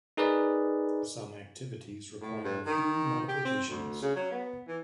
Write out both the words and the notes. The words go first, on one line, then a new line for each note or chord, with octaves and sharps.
Some activities require few modifications.
D#4 G#4 A#4 B4 D5 D#5
A2
G2
D#3
G4
C4
D2
C#3
F#3
B3
E3